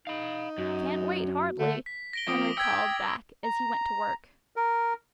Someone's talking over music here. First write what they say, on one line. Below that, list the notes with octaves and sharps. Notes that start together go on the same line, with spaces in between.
"Can't wait, hardly," Henry called back as he went to work.
D#4 F5 B5
F#2 F#4
D3 A3
B6
A#6 D7 G7
F3 C4 D6 D#6 D7
G5 E6 G#6 B6
A#5
A#4